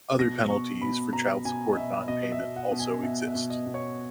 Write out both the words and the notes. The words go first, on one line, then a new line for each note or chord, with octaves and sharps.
Other penalties for child-support non-payment also exist.
B2 A#6
B2 C#6
B2 B5
B2 A#5
B2 G#5
D#5
B2 E5
B2 D#5
E5
B2
F#5
B2
G#5
B2 E5
E5
B2
D#5
B2
C#5